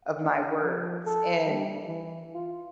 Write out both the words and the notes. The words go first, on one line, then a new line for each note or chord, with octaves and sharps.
of my words and
D4
F3
A4
G3
E3
F4